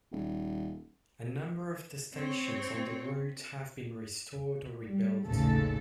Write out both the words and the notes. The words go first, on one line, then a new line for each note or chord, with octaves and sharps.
A number of the stations on the route have been restored or rebuilt.
D#1
C4 C#5
G3
A1 D#2 A2 C#3 A4